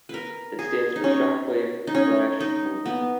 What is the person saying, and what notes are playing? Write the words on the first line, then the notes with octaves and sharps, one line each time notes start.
It stands for Shockwave Flash Movie.
A#4 B4
G#4
D#4
C#4
D#4
C#4
D#4
B3